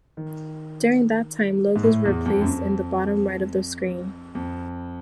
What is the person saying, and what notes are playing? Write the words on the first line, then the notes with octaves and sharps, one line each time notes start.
During that time, logos were placed in the bottom-right of the screen.
D#3
G#2
A2
E2
F2
F#2
F2
F2